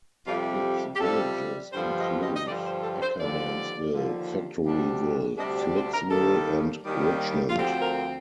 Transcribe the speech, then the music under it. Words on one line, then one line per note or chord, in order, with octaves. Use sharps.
Its villages include Ackermanville, Factoryville, Flicksville, and Richmond.
F2 C3 G3 F4
G4
G4
F2 C3 G3 A4
G2 D3 F3 C5
D#5
D#5
D#5
G2 D3 F3 D5
C5
A4
C5
D#2 D3 F3 D5
D#2 D3 F3
D2 C3 G3 D4
D2 C3 G3 D4 D#5
D5
C5
A#4
D#2 D#3 G3 A4
D#2 D#3 G3
F4
D2 D3 F3 C4 G4
A#4